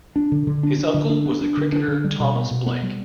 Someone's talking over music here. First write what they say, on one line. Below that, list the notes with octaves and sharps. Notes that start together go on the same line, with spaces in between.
His uncle was the cricketer Thomas Blake.
D4
D3
D3
D4
D4
D3
D4
B3
D4
D3
D4
D3
G3
B2
B3
B2
B3
G3